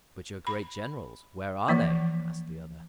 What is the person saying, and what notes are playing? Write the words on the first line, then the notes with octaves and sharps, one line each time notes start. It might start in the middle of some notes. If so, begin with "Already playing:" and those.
"But your great Generals--where are they?" asked the other.
B5
E3 F3 A#3